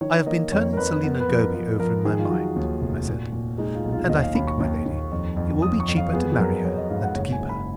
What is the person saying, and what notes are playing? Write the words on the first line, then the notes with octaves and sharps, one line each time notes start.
"I have been turning Selina Goby over in my mind," I said, "and I think, my lady, it will be cheaper to marry her than to keep her."
D#3 C#5
C#5
A#3 D#5
F2 C#5
A#4
F2 B4
B3 A#4
B4
F3
A#4
F3 B4
F3 A#4
D#3 G#4
F4
F#3 F#4
D#2
F1
A#2
A#2
G#3 D#4
F4
B1
F4
D#2 D#5
F5
D#2 B5
C#6
D#2
D#2
F2
F2
F3 D#6
C#6
F2
F5
B3 G#4
G#4
F#3 A#4
F#3 C#5
D#5
G#2 F5
F#5
F#1 C#5
G#5
F#1
B5